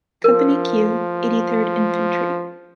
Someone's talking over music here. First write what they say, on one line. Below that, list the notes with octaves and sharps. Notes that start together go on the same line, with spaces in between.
Company Q, Eighty-third Infantry.
F3 A#4